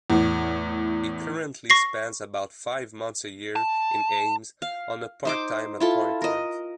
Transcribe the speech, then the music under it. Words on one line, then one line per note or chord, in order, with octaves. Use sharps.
He currently spends about five months a year in Ames on a part-time appointment.
E2 A2
C#6 A#6 C7
A5
F5
D#4 C5 D6
E4 F4 A4
A#4 D#5